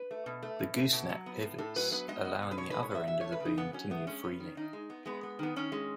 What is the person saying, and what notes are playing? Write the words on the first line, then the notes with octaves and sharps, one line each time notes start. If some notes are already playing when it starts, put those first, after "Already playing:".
The gooseneck pivots allowing the other end of the boom to move freely.
Already playing: B4
A3
B2
A3
B2
A3
B2
F#3
B3
A2
A2 A4
F#3 B4
B3 B4
G#3 D#5
B3
B2
B4
B2 C#5
G#3 B4
C#5
B3 E5
F#3 E5
A3 C#5
B4
C#3
D#4
C#3 B3
F#3 C#4
A3 B3
G#3 C#4
B3
D#3
D#3 D#4
G#3
B3
G#3 B3
B3
D#3 B3
D#3 C#4
G#3